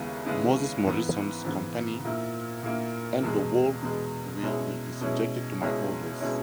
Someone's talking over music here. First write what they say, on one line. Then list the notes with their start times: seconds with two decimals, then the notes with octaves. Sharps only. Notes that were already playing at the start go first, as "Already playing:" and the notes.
Moses Morrison’s Company and the whole will be subject to my orders.
Already playing: D#2 C#3 G#3 B3 E4
0.25 D#2 C#3 G#3 B3 E4
0.85 G#2 E3 B3
1.45 G#2 E3 B3
2.04 A#2 A#3 E4
2.63 A#2 A#3 E4
3.23 E2 B2 G#3
3.82 E2 B2 G#3
4.42 B2 G#3 C#4 E4
5.01 B2 G#3 C#4 E4
5.60 C#2 B2 G#3 C#4 E4
6.20 B2 G#3 C#4 E4